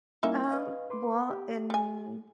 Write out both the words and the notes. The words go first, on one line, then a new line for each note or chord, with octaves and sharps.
Um, well, in
G3 A#3 C#4 D#4 E4 E5
B4 D#5 F5
B4 C6 D6
G4
G3 G#5